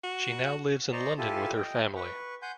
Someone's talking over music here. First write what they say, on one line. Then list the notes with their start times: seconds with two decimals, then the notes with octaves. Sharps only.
She now lives in London with her family.
0.04 F#4
0.93 C5 D5 D#5 A#5 C6 C#6
1.18 E4 F4 G4 A4 G#5 A5
1.56 D#5 G5
1.96 B4 C#6
2.42 F#5 G#5 C6 G6